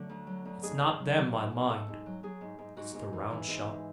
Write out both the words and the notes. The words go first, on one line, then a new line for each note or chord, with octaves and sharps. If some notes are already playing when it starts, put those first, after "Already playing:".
It's not them I mind; it's the round-shot.
Already playing: D3 F#3 A3
D2
F#3
D2
G#2 G#4
G#2
F#3
F#3
G#2
G#2
G#2 A4
G#2
F#3
F#3 G#4
G#2
G#2
G#2 F#4
G#2
E3
E3
G#2
G#2